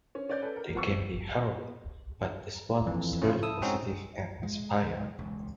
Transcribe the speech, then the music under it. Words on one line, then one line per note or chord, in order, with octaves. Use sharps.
They can be harrowing, but this one was really positive and inspiring.
C#4
C#4 D5 G6
A4 B4
A#4
F3 B3 C#6 E6
F2 E3
C#3 F3 A3 E4 F4
E4 A4 D#6 E6
G#3 C4 C#4 D#4 F#4 G#4
G#3
C#2 G#2 F3 F#3
E1 C#2